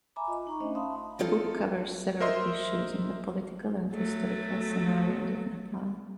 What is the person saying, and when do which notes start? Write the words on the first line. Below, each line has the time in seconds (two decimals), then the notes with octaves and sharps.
The book covers several issues in the political and historical scenarios of Nepal.
0.16 E5 G#5 A#5 B5 D6
0.28 F4 D#5
0.47 D#4 A#5 C#6
0.60 A3 C#4 D4 C5 D#5 E5
0.75 E5 F5 A5 B5 C6 D#6
1.19 E3 C4 D#4 F4 A4
2.20 A#4 C5 D#5 E5 C6
3.93 F#3 A3